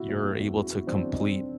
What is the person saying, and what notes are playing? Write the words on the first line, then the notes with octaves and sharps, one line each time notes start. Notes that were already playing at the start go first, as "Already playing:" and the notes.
you're able to complete,
Already playing: B2 E4 F#4
F#1
F#1
E2
C#3 E4 F#4
G1
E3 C4 D4
F2
D#4
C3 C4 D4